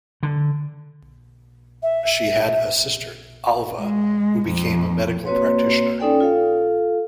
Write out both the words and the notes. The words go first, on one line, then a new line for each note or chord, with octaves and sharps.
She had a sister, Alva who became a medical practitioner.
D3
E5
G#3
F2
A#3 C4 F#4 B4 C#5 C6
C#4 D#4 A4 D5 G5 G#5
F4 A4 F5